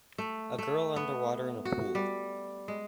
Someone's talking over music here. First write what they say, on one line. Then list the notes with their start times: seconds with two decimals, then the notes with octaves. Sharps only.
A girl underwater in a pool.
0.18 A3
0.59 A3
0.96 B3
1.65 F#4
1.95 G3
2.68 G#3